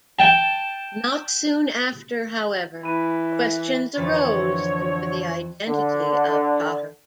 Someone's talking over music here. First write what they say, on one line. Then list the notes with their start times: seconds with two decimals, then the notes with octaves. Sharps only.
Not soon after, however, questions arose over the identity of Taher.
0.19 G5 A5
2.83 E3 B5 D#7
3.95 F2 D3 E3 C#5 A6
5.68 D3